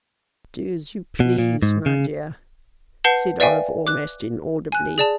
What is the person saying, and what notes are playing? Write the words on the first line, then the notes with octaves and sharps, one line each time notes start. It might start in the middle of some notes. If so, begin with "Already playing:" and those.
"Do as you please, my dear," said Olive, almost inaudibly.
B2
A#2
G#2
C#3
B4 F#5 A5 G6 C7 G7
B4 D5 E5 F5 G5 G#5
D6 F#6
G#5 F#6
G#4 D5 A5